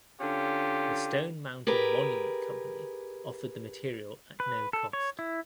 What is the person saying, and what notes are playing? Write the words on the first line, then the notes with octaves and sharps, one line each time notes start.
The Stone Mountain Monument Company offered the material at no cost.
D3 C#4 F4 G4
G4 G#4 A#4 B4
B4
A4
C#5
E4